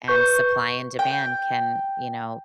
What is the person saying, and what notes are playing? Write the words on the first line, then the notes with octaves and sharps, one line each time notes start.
and supply and demand can, you know,
B4 C#6 G6
G5